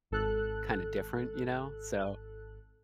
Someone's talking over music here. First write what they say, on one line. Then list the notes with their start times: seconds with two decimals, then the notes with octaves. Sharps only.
kinda different, you know? So
0.11 G#1 A4 F#6